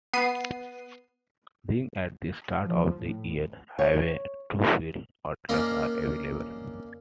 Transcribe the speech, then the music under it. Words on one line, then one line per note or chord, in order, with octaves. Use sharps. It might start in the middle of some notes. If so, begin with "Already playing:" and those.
Being at the start of the Eyre Highway, two fuel outlets are available.
B3 C7 D#7
F3
A2
C#5
A#3 C#4 D4 A#4 D#5